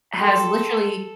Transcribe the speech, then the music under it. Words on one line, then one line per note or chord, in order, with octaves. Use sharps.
has literally,
A4 G5 C6